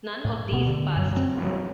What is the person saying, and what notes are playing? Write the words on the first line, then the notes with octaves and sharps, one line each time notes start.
None of these passed.
A2
D1 B2 B3
D3
F#2 F#3
F#3 G3 C4
F#3